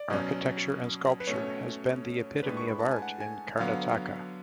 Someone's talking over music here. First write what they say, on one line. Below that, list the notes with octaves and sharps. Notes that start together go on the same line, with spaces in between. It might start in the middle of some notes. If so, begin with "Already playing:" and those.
Architecture and Sculpture has been the epitome of art in Karnataka.
Already playing: D5
B2 F#3 C#4
B4
B2 A3 C#4 C#5
A2 G#3 D4 B4
C#6
B5
A5
G#5
F#5
G#5
D3 F#3 B3 F5